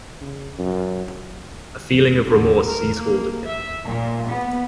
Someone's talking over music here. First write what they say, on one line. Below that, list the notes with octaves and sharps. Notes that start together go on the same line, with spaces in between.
A feeling of remorse seized hold of him.
C#3
F#2
D3
A#4
A#3
E5
A#2
B3